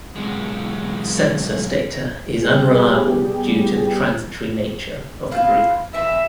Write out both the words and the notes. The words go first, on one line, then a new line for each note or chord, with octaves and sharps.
Census data is unreliable due to the transitory nature of the group.
B1 G#3
G3 B3 G4 G#4
E4 F4
E3 E5